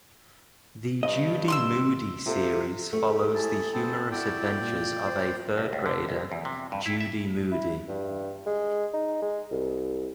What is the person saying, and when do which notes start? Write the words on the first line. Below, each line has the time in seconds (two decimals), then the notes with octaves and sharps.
The Judy Moody series follows the humorous adventures of a third-grader, Judy Moody.
1.03 G2 D#5
1.48 C6 D#6 E6
2.26 C3 F4 A4
2.93 A3 E4 G4
3.35 G#4 A5
3.73 B3 C4 A5
4.11 E4 F#4 A4 D5 G5
4.57 A#2 F4
5.05 C5
5.58 C2
5.73 C#2
5.86 D3
6.09 C2
6.32 E2
6.45 C3
6.72 G2
6.86 E4
7.01 E5
7.52 E4
7.88 G2
8.46 G#3
8.94 D#4
9.22 G#3
9.52 C2